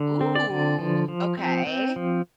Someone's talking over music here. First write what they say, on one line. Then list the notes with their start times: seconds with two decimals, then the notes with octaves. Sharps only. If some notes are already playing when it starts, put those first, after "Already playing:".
Ooh, okay.
Already playing: D3
0.21 C4
0.35 D5
0.49 D3
0.79 F3
1.08 F3
1.37 C4
1.67 C4
1.96 F3